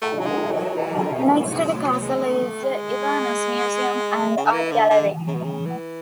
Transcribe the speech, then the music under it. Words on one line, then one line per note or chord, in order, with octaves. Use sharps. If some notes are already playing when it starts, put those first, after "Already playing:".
Next to the castle is the Inverness Museum and Art Gallery.
A3
F#3
G#3
F#3
E3
D3
B2
G#2
A2
G#2
F#3
F#3
G#3
A3
G#3
C#3
D3
E3
D3
D3
C#3
B2
C#3
E3